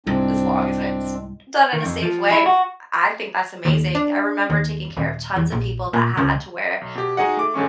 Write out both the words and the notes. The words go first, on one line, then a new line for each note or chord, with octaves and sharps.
as long as it's done in a safe way. F I think that's amazing. I remember taking care of tons of people that had to wear
C2 G#2 G#3 C4 D4
D#3
F2
F3
E4
F#4
D#2
D4
D#2
D#1
E2
A#1
A#2
C#2
B1
B2 G4
G#3 D#4 F#4 G#4 D#5 F#5
A3 D6
G1 D3 G#3 C#4 C#6